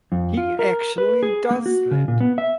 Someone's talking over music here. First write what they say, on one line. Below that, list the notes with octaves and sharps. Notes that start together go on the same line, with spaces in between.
He actually does that.
F2
F4
A#4
B4
G#4
A#3
F#4
C#3
A#2
B3
E5